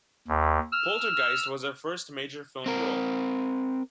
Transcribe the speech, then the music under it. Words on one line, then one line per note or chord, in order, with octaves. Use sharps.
"Poltergeist" was her first major film role.
D#2
E6 F6
C4 A#4